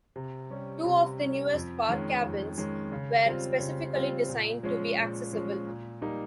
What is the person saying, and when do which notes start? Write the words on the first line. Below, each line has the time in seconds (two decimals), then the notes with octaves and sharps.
Two of the newest park cabins were specifically design to be accessible.
0.16 C3
0.50 G3 C#4
0.85 C3
1.20 G3 C#4
1.54 F2
1.89 D#3 G#3 C#4
2.23 F2
2.58 D#3 G#3 C#4
2.92 C#3
3.25 G3 C4 F4
3.60 C#3
3.95 G3 C4 F4
4.28 A#2
4.63 F3 G#3 C#4
4.98 A#2
5.33 F3 G#3 C#4
5.67 A#2
6.01 G3 A#3 D#4